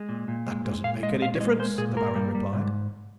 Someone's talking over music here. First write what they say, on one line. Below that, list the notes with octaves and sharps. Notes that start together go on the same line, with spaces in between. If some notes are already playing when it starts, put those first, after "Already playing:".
"That doesn't make any difference," the Baron replied.
Already playing: G#3
A#2
A#2
G#3
G#3
A#2 F5
G#3 D#5
A#2 F5
C#5
G#3 D#5
G#3 C5
A#2 G#4
A#3 A#4
G3
G3
G#2